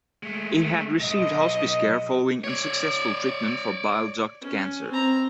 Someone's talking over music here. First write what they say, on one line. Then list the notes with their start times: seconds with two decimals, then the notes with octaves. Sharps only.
He had received hospice care following unsuccessful treatment for bile duct cancer.
0.23 G#3 A3
1.00 B1 G2 D#5
2.44 C#5 D5
4.41 C#4
4.89 C4 A#5